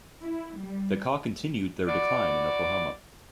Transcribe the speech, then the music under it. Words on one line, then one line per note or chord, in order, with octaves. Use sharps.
The Kaw continued their decline in Oklahoma.
E4
G3
E4 F#4 D5